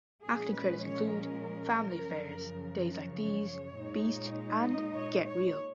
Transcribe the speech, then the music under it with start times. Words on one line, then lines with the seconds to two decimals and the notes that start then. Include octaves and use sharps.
Acting credits include "Family Affairs", "Days Like These", "Beast", and "Get Real".
0.24 A#2 F3 G#3 C#4 G#4
0.54 B4
0.82 C#5
1.13 A#4
2.01 F#2 C#3 F3
2.89 C#5
3.78 A#2 G#3 D#4
4.67 D#5
4.96 C#5
5.26 C#5